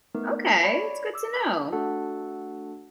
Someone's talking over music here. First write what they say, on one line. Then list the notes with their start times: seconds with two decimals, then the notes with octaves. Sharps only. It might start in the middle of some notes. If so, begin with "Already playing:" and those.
Okay. It's good to know.
0.15 A3 B3 D#4 A#4
0.63 C#5 D5 B5
1.14 D6 E6
1.72 A3 D4 F#4 A4 F#5 A5